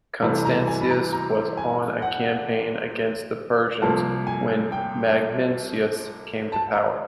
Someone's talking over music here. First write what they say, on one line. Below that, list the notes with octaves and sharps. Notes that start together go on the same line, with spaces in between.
Constantius was on a campaign against the Persians when Magnentius came to power.
C2 C3 E3 A3 B5
A#5
G#5
B5
A#5
A#5
G#5
F#5
C2 C3 F3 A#3 A5
G#5
G5
A5
A#5